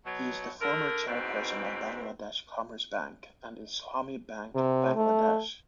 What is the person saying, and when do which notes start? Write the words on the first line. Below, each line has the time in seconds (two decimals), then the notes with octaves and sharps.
He is the former chairperson of Bangladesh Commerce Bank and Islami Bank Bangladesh.
0.05 B2 F#3
0.61 D3 A#4
1.06 E2 G#2 B2 C4 B4
4.55 C3
4.95 A3